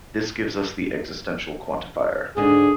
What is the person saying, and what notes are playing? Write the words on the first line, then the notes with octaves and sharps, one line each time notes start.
This gives us the existential quantifier.
G#2 D3 D#4 G#4